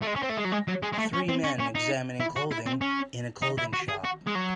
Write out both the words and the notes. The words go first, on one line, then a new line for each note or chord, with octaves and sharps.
Three men examining clothing in a clothing shop.
A3
G#3
C#4
C4
A3
G#3
F#3
G#3
F#3
G#3
G#3
A3
C#4
C4
C#4
C#4
D#4
E4
F#4
E4
C4
C#4
D#4
E4
F#4
G#4
F#4
G#3
F#3